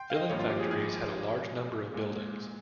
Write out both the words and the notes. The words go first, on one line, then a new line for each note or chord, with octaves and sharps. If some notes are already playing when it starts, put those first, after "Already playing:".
Filling factories had a large number of buildings.
Already playing: G5 C6
F5
D#5
G#1 G2 F3 A#3 C#5
F4
G4
G#4
G#4
A#2 G#3